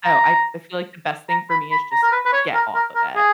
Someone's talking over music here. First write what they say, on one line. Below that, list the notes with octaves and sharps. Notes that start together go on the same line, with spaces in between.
So, I I feel like the best thing for me is just get off of it.
A#5
A#5
B5
B5
A#5
A#4
B4
B4
C#5
A#4
A#4
A#4
G#4